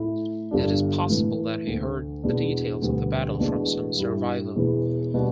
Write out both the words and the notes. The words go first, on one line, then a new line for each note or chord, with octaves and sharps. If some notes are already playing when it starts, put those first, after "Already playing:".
It is possible that he heard the details of the battle from some survivor.
Already playing: A2 A3 E4
G1 G2 G3 D4
A2 E3 A3
D2 D3 A3
E1 E2 B2 B3 D4
E1 D2 D3 G3 B3
E1 E2 B2 A3 D4
G2 G3 E4
E1 E2 E3
B2 G3 D4